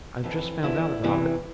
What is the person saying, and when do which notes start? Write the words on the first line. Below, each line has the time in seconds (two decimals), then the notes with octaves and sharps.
I have just found out about it.
0.24 F2 E3
0.63 E2 D3 F3 E4
1.03 E2 C3 E3